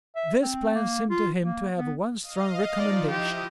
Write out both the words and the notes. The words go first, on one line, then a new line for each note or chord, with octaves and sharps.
This plan seemed to him to have one strong recommendation.
E5
C4
A#3
F4
A#3
B3
D#5 F5
F3 D#4 F4 D5
E4 G4 D#5